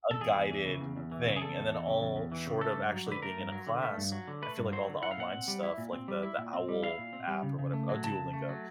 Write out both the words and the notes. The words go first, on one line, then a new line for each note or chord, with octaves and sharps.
a guided thing, and then all short of actually being in a class, I feel like all the online stuff, like the the owl app or whatever Oh, Duolingo,
A4
E2 G#4
E2
E3
C#3
E2
E2
E3
C#3
G#4
E2 A4
E2
E3
C#3
E2
E2
E3
C#3
A3 A4
G2
F#3
D3
B4
A3 A#4
G2
F#3
D3
A3
G2
F#3
D3
A3 B4
G2
F#3 C5
D3
E4 F#5
F5
A#2 F#5
C4
G3
E4
A#2
C4
G3
E4
A#2
C4
G3
E4 F5
A#2
C4
G3
C#3
C#3
A3
F#3
C#3 A5
C#3
A3
F#3